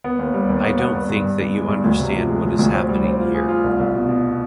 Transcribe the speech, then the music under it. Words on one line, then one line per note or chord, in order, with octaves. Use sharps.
I don't think that you understand what is happening here.
B3
D#2
G3
D#2
B3
B3
G2
G2
G2
G2
G#3
G2
D2
C3
F3
G#3
F3
D2
C4
G3
C4
F4
G#4
F4
C2
C2
B2
B2